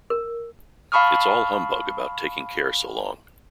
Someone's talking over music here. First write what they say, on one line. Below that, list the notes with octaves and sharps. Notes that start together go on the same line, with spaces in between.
It's all humbug about taking care so long.
A#4
F5 A5 B5 C#6 D#6 F6